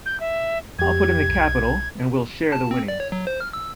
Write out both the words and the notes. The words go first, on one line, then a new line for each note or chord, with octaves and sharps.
I'll put in the capital and we'll share the winnings.
G6
E5
F2 G4 G#6
B1
A5
C4
D5
C#5
F#3
C5
F6
E6